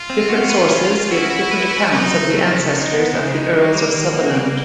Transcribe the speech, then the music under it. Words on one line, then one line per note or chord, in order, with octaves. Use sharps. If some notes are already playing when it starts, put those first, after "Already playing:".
Different sources give different accounts of the ancestors of the Earls of Sutherland.
Already playing: F4
C4
F#4
B4
C#4
C#4
E4 F#4
F#4
B4
B4
F#3 D#4
C#3
F#3 A3
C#3
G#3 D#4
B3
C#3
D#4
G3 A#3
G3
D#3
B3
G3